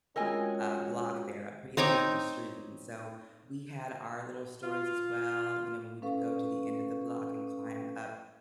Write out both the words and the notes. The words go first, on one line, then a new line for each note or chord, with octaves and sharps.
uh, block there, a pretty lengthy street, and so we had our little stories as well, you know, when we would go to the end of the block and climb up,
G#3 C4 C#4 F4 F#4 A#4 D#5 G#5
C4 D#4 C#5 D6
F4
C#4 A4 B4 F5 C#6